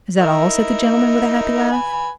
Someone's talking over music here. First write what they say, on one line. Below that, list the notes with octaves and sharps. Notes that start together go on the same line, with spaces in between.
"Is that all?" said the gentleman with a happy laugh.
D#4 E4 A#4
B4 G#5 B5